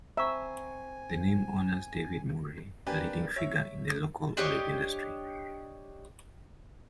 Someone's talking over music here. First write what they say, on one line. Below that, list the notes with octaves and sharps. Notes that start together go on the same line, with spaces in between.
The name honors David Murray, a leading figure in the local olive industry.
C4 E5 G#5 A#5 C#6
A#3 D4 G4 B4 G#5
C#5 E5
D4 G4 C#5 D#5